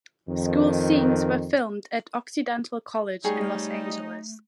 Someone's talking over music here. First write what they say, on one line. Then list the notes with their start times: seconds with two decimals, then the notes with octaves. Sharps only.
School scenes were filmed at Occidental College in Los Angeles.
0.28 F2 D#3
3.25 G3 A3 D#4 G#4 C#5 G5